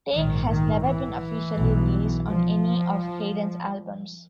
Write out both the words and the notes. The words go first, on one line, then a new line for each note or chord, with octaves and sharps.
"Take" has never been officially released on any of Hayden's albums.
A#1 G#2 D#3
D#3
E3
B1 B2
F3